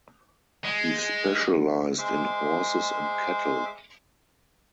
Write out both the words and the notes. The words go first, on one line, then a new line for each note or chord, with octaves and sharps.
He specialized in horses and cattle.
G#3
G#3 C5 E5 D6